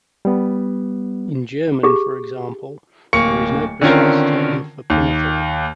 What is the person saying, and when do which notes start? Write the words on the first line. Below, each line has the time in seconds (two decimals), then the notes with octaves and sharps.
In German, for example, there is no precise term for pinafore.
0.25 G3 B3
1.83 G4 G#4
3.13 D1 A#3 C#6 C#7
3.81 D3 D#3 C4 C#4 F4 A#4
4.90 D#2